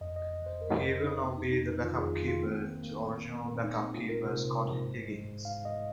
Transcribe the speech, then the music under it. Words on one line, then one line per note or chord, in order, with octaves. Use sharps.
He will now be the back up keeper to original backup keeper Scott Higgins.
F2 D#5
D#5
F2
F2 C5
F2 A#4
F2 C5
F2 D#4
A#3 C4
F2 D#4
D#4
F2
D#4
D#3 F4
F2 G#4
F4
D#3
F4
A#3 C4
A#3
A#3
A#3
A#3
A#2
C4
G#3 D#4
G#3 C4
F4
G#3
A#4
C3 C5
C3
G#3
G#2
G#3
G#2
G#2 F5
G#2 D#5